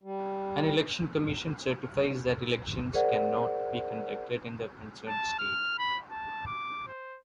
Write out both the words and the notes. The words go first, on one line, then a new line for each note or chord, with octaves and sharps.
An election commission certifies that elections can not be conducted in the concerned state.
G3
G#4 A#4 C5 D5 F#5
A5
F6
B5
A5
D6
C5